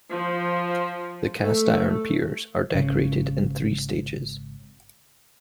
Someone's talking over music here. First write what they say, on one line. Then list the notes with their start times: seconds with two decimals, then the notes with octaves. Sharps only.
The cast iron piers are decorated in three stages.
0.11 F3
1.39 A3
2.75 G#1 C#3